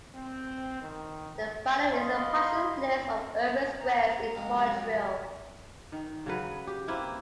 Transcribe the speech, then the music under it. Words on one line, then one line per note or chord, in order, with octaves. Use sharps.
The following is an partial list of urban squares in Montreal.
C4
D#3
D#5 F5 B5 C6
A#5
F2 G#2 C3 F#3
D#3
C#3 F#3 B4
G4
A#3 C4 E4 B4